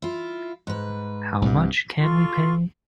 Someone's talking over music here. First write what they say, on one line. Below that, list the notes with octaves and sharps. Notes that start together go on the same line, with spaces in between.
How much can we pay?
E4 F4
G#2 B4
C2 G2
F4 A4 C6 C#6